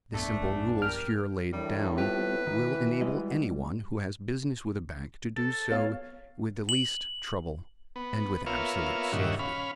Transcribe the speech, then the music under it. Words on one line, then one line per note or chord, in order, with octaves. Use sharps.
The simple rules here laid down will enable anyone who has business with a bank to do so with the least trouble and with absolute safety.
A#1 F#2 A3 B3 D4
G3 G4 A#4 F6
A2 E3 G3 D4 A#4
G3 B3 C4 F4 G4 B4
D#3 E3 F#4
G3 G#3 D#5
A4
B3 C#5 F5
F#7
B3
A#3 B3 F4 C#5 E5 F5
G2 A#2 D#3 C#4 F#4 E5
C#4 F5 B5